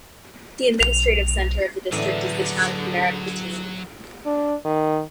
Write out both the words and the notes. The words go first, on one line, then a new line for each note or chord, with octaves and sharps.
The administrative centre of the district is the town of Merak Batin.
B1 F7
A2 D3 E3 F#3 G#4 D5 D#5
D4
D#3